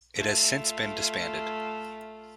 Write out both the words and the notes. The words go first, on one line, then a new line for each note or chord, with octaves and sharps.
It has since been disbanded.
A3 F4